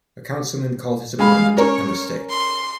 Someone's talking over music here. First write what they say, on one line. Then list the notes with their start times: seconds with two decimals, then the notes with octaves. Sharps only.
A councilman called his appointment "a mistake".
1.19 G#3 F5 G#5 B5
1.57 C#4 A#4 C#5 A#5
2.30 C6